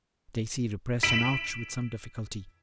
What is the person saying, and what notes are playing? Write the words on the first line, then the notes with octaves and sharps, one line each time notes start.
Stacy repressed an "ouch" with some difficulty.
B6 D7 E7 F#7